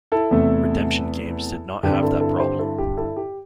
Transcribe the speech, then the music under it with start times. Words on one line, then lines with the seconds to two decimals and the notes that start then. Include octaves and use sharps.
Redemption games did not have that problem.
0.12 E4 A4
0.31 E2 C3 A3
1.83 G2 D3 G3 C4 G4
2.02 E4 A4
2.21 E4 A4
2.40 G4 C5
2.59 E4 A4
2.78 G4
2.97 E4 A4
3.17 G4